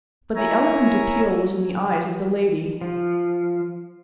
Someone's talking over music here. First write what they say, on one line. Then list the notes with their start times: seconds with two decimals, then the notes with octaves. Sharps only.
But the eloquent appeal was in the eyes of the lady.
0.36 E4 A#4 C#5 E5 G#5 A#5
2.81 F3